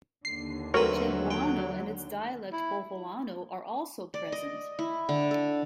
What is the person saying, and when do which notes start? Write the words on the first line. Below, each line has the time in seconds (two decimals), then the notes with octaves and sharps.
Cebuano and its dialect Boholano are also present.
0.25 D#2 D3 C7
0.74 F#3 A3 C4 F#4 A#4 B4 C#5
1.31 G5
2.53 E4
4.14 D5
4.32 D#5
4.79 E4
5.09 D3
5.31 A4